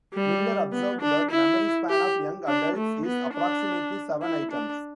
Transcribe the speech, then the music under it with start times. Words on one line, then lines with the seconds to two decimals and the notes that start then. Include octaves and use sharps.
Miller observed that memory span of young adults is approximately seven items.
0.14 G3
0.72 B3
1.01 D4
1.31 E4
1.89 G4
2.48 D4
2.76 A3
3.06 B3
3.34 D4
4.22 E4
4.51 D4